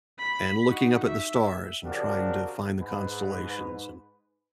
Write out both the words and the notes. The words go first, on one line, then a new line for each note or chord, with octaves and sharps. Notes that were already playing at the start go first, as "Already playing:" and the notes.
and looking up at the stars and trying to find the constellations, and,
B5
D#4 F#4
E5
C#3 F3 D4 F#4 G4 A#4
G#2 B4